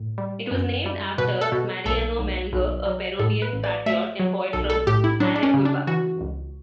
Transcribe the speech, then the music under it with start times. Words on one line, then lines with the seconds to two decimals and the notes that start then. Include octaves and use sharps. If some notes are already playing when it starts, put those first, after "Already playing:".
It was named after Mariano Melgar, a Peruvian patriot and poet from Arequipa.
Already playing: A2
0.18 G3
0.51 F#2
0.86 G3
1.18 B2 B4
1.41 A4
1.52 B2
1.85 B1 A4
2.19 B1
2.53 B1
2.86 F#3
3.19 A2 A4
3.42 B4
3.53 A1
3.64 D5
3.86 A3 E5
4.20 F#3
4.53 B1 A4
4.70 A4
4.87 A2 G4
5.04 E4
5.20 F#3 D4
5.36 D4
5.43 C#4
5.54 C#3
5.65 D4
5.87 E3 F#4
6.21 C#2